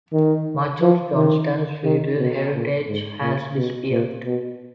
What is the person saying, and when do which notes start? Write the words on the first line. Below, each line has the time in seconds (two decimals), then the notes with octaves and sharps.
Much of Johnstone's feudal heritage has disappeared.
0.13 D#3
0.81 F3
1.15 D#3
1.84 D#3
2.19 B2
2.54 A#2
2.88 G#2
3.22 A#2
3.57 B2
3.91 A#2
4.25 B2